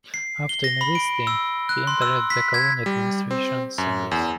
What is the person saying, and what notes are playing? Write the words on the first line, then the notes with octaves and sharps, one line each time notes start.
After university he entered the Colonial Administration Service.
C7
G7
A#6
B5
D7
E6
F#6
C6
E6
B6
G#6
G3
C4
F#2
E2